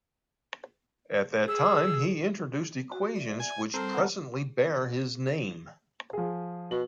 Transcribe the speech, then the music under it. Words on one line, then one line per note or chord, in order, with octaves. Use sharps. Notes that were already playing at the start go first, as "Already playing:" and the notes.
At that time he introduced equations which presently bear his name.
G#4 E6
F#4
D5 E5
G#5
G3 C4 A4 A#4
B3 F#5 C#6
F3 G#4
B2 F#7